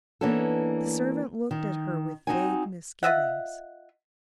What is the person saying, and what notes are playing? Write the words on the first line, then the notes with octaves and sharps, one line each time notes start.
The servant looked at her with vague misgivings.
E3 A#3 B3 C#4 D4 A4
D#3
C4 D4 D#4 F#4 F#5 G#5
F4 D#5 E5 F#5